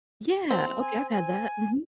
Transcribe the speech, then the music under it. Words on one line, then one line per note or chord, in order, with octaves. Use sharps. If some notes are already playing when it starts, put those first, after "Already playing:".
Yeah. Okay. I've had that. Mhm.
C4
G#5
G#5